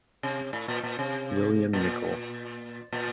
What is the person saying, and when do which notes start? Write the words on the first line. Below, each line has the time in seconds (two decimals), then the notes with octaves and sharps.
William Nicol.
0.23 C3
0.53 A2
0.68 A#2
0.84 A#2
0.99 C3
1.73 A#2
2.93 A#2